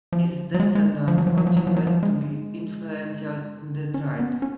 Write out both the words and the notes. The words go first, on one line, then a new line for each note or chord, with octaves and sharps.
His descendants continued to be influential in the tribe.
F3
F#3
G#3
G#3
F3
F#3
F3
F#3
F3
F#3
F3
F#3
F3
G#3
C#4
B3
C#4